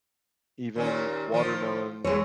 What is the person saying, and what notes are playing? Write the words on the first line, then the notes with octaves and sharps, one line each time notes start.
even watermelon
D#2 A#2 C#4
D#3 F3 F4
E3 G#3 C#5